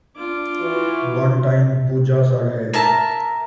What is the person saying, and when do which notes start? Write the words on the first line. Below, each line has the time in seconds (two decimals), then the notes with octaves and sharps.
One time Pujas are held.
0.16 D4 F4 D6
0.61 E3 F#4
2.74 A#4 E5 A5